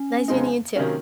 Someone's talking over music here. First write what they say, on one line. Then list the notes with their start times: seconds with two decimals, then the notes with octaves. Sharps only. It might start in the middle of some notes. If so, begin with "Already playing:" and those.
Nice meeting you too.
Already playing: C#4
0.28 F2 C#3 G#3 C4 D#4
0.76 C3 D#3 F#3 A#3 C#4